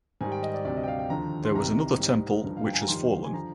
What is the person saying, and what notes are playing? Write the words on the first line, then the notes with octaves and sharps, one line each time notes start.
There was another temple which has fallen.
G#2 D#3 G3 G#5
G5
D#5
D5
D2 C3 G3 D5
D#5
G5
F5
G5
D#2 D3 F3 A#5
C6
C2 C3 D#3 G3 A#5
A#5
G#2 G3
G2 D3 F3
F5
G5
G#5
A#5
F2 D#3 G3 C6
G#5
D3 F3 A#5